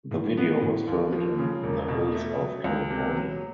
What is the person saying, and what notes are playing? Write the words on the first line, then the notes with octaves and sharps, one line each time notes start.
The video was filmed in "the hills of California".
A2
B3
A2
D#2
F3
C#3
E1
B2
A3
F#3
C#2
C3
F#3